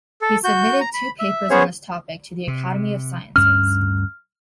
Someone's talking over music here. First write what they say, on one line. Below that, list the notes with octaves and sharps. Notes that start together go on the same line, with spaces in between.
He submitted two papers on this topic to the Academy of Sciences.
A4
F#4 G6
A#5
B5
E5
B3 C#4 G#4 C5 C#5
C3
D2 G2 C#4 F6